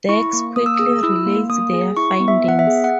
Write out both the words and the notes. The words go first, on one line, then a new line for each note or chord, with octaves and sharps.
Dax quickly relates their findings.
E4 C#6
A#3
A#3 D#6
E6
G#4 D#6
E4 E6
A#3
A#3 D#6
G#4
E4 C#6
B3
E5
B3 F#5
E5
G#4
F#5